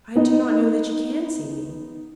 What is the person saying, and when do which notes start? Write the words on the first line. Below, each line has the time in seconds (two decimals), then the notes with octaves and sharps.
"I do not know that you can see me."
0.15 B3 D#4